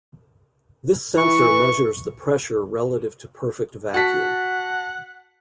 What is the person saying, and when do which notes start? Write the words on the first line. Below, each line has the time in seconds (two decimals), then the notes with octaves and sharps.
This sensor measures the pressure relative to perfect vacuum.
1.18 E3 C#6
3.94 F#4 F#5 A5 B6